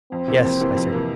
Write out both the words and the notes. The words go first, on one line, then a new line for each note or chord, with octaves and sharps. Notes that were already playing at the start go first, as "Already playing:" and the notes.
"Yes," I said.
F2 C4
C3 E3 A#3
F2
C3 E3 A#3
F2
C3 E3 A#3